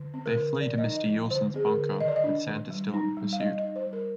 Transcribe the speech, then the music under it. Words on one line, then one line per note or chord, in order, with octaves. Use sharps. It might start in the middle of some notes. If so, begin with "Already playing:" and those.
They flee to Mr. Yuleson's bunker, with Santa still in pursuit.
Already playing: D3
C4
A#4
D3
F3 D5
D#5
D#4
D#5
F3
D3 C5
C4 G#4
A#4
D3
D#3 D#5
D5
D#5
D4
D#3
G3
D#4
G3
F5
G3 D#5
D#5
D#4
C5
G3
A#4